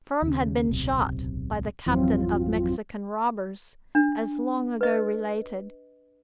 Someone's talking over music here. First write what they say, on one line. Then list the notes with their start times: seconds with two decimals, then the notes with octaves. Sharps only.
Firm had been shot by the captain of Mexican robbers, as long ago related.
0.22 D#2 C#3
0.69 D1 B1 C3
1.86 G#1 F2 E3 F#3 C4 F4
3.95 D4
4.81 B4 D#5